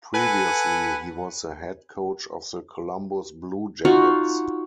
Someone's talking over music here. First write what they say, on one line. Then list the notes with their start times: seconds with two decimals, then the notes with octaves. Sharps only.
Previously, he was the head coach of the Columbus Blue Jackets.
0.14 A4 B4 F#5 G#5
3.85 D#4 F4 F#4